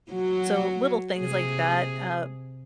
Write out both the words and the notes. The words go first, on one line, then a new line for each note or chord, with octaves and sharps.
so, little things like that, uh,
F#3 F#4
C3 G#4